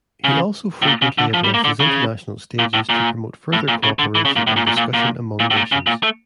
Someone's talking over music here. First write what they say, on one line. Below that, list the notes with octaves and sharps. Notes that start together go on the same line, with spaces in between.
He also frequently addresses international stages to promote further cooperation and discussion among nations.
C#3
A2
A#2
C#3
D3
F3
G3
A#3
D3
C#3
A#2
A2
A#2
A2
A#2
C#3
D3
E3
C#3
A#2
A2
A#2
A#2
A#2
A#2
A#2
A2
A#2
C#3
A#2
A3